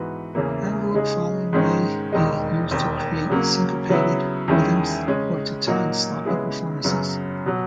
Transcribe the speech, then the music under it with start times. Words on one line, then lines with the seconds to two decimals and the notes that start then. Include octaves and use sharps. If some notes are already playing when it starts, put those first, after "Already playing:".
Envelope following may be used to create syncopated rhythms or to tighten sloppy performances.
Already playing: G#2 E3 B3 F#4 B4
0.35 E2 C#3 E3 A#3
0.94 C#3 G#3 D#4 G#4
1.53 G#2 D#3 G#3 C#4
2.12 E1 D#2 D#3 G#3 D#4
2.71 E1 D#2 D#3
3.30 C#3 F#3 A#3 C#4
3.89 C#3 F#3 B3 E4
4.48 E2 D#3 G#3 C#4 E4
5.08 C#3 G#3 C#4
5.67 A#2 F#3 A#3 D#4 F#4
6.25 C#3 G#3 B3 E4 G#4
6.84 F#2 C#3 F#3 B3
7.46 B2 F#3